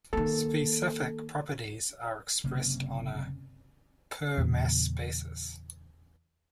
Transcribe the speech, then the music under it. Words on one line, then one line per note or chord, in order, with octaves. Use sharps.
"Specific" properties are expressed on a per mass basis.
D#3 A#3 A4
F#1 C3 A#3 C#4
E2 A#2 C#3